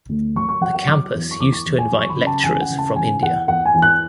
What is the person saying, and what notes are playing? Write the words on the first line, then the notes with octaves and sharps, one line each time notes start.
The campus used to invite lecturers from India.
D2
F#3 C#6
C#6
F#3 F#5
F#5
F#3 D6
E2
C#6
E2 D6
C#6
E2
G#5
F#3
C#6
B5
C#3
A5
E2 G#5
F#5
C#3
A5
E2 G#5
E2 F#5
E2 F#5
G#5
E2
F#6